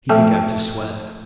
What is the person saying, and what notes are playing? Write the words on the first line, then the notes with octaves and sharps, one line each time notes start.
He began to swear.
F3 A3 A4 E5 G5 A5